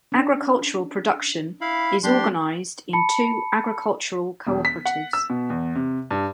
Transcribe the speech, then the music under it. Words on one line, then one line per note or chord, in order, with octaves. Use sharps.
Agricultural production is organised in two agricultural cooperatives.
C#4 D4
E4 F5 B5
F#3 A#3 C4 D4 G4 C6
A5 B5 C#7
E1
B6
F#5
E6
B2
E2
C3
G2